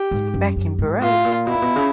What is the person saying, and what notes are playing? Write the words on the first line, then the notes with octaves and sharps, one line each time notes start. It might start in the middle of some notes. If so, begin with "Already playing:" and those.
Back in Baroque...
Already playing: G4
G#2
F#2
F#2
G#2
A2 F4
A#2
B2 E4
A#2
B2
C#3